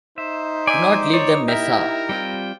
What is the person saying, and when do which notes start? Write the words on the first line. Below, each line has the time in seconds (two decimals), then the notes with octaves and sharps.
Do not leave the mesa.
0.18 D#4 C5 E5
0.67 D5 E5 G#5
1.14 C#5 D5
1.48 E4 G4 A#4 E5
2.09 G3 C4 F4 G5